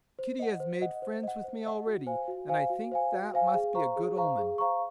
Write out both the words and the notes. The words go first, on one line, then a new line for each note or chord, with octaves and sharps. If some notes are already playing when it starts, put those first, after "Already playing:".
"Kitty has made friends with me already, and I think that must be a good omen."
C5
D#5 F#5
C5
D#5 F#5
C5
D#5 F#5
C5
D#5 F#5
F#4
C5 F5 G#5
F#4
C5 F5 G#5
F#4
C5 F5 G#5
F#4
C5 F5 G#5
G#4
C5 F5 A#5 C#6
G#4
C5 F5 A#5 C#6
G#4
C5 F5 A#5 C#6